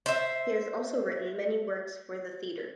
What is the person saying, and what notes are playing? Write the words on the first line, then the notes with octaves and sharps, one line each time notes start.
He has also written many works for the theatre.
C5 E5